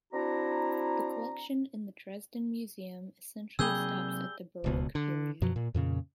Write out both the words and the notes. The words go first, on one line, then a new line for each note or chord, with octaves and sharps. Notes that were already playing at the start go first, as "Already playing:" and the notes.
The collection in the Dresden museum essentially stops at the Baroque period.
C4 D4 E4 F#4 A#5
C3 F#3 G3 A#3 G#4 E6 G6 G7
D1 C#2 B2
D3
F#2 B2 F3 F#3
A#2
F2 A#2 C#3